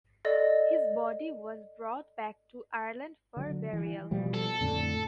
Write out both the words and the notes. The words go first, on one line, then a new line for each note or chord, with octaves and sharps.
His body was brought back to Ireland for burial.
A4 D5 D#5
D3 F#3
E3
B2 F3 G3
A4
F2 A2 D3